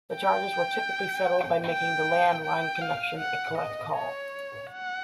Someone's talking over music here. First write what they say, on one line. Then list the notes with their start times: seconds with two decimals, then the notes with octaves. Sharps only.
The charges were typically settled by making the landline connection a collect call.
0.15 G5
1.67 G5
2.44 G5
2.81 F5
3.19 F#5
3.57 D#5
3.96 C#5
4.73 F#5